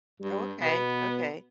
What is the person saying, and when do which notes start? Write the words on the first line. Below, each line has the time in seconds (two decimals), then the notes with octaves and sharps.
Oh, okay, okay.
0.20 G2 G3
0.61 B2 B3